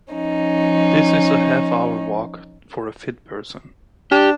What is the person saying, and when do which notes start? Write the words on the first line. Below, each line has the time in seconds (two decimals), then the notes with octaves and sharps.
This is a half-hour walk for a fit person.
0.13 F3 C#4 D#4
4.12 D4 G4